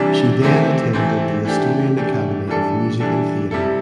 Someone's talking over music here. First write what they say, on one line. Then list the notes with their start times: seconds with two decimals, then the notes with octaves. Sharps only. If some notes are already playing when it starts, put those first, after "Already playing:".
She then attended the Estonian Academy of Music and Theatre.
Already playing: C3 E3 G3 D4
0.42 C3 E3 A3 C4
0.93 C3 E3 A3 C4
1.45 E3 A3 D4 G4
1.97 E3 A3 D4 G4
2.48 E3 G3 D4 A4
3.00 E3 G3 D4 A4
3.51 C3 G3 E4 A4